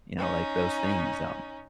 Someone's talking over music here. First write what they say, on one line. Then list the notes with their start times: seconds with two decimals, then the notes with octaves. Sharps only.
you know, like those things, um
0.17 C#4 D#4